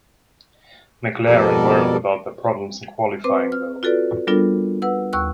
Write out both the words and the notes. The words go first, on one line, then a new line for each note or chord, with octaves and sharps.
McLaren weren't without their problems in qualifying though.
F2 B2 G3 A4 A#4 D5
C4 B4 C5 D6
F6
F4 F#4 A4 B4 D5
G3 B3 D4 F4 A4 A#4
B4 F#5 E6
D#2 C#6 E6 F#6